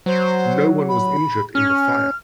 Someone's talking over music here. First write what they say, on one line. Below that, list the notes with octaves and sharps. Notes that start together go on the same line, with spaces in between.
No one was injured in the fire.
F#3 C5
B5
C#4 F6